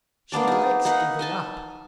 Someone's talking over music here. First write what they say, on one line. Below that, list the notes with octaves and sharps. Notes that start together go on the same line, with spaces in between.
"She likes giving up."
A#3 B3 D4 D5
D#4 G#4
A#3 D#4 F#5 B5
D#5 G#5 A5